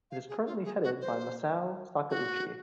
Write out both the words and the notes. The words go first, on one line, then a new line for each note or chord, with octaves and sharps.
It is currently headed by Masao Sakauchi.
F5
G#4
F4
G#4
F#4
C5
F#4